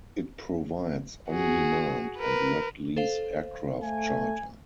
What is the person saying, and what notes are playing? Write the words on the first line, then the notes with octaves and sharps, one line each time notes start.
It provides on-demand and wet lease aircraft charter.
F#4 G#4
A#4 B4
A4 C5 F5
A3 G#5